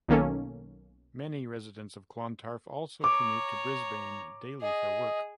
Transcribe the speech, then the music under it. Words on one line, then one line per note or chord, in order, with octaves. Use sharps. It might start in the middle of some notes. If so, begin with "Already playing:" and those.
Many residents of Clontarf also commute to Brisbane daily for work.
B1 D#3 A#3 C#4 A4
C#5 A#5 D6
G#4 D#5